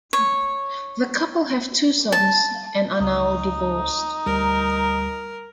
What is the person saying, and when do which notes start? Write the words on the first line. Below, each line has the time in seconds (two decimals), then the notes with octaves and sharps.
The couple have two sons, and are now divorced.
0.13 C#5
2.12 A5
3.01 C#2 D#4
4.26 D2 G3 A#4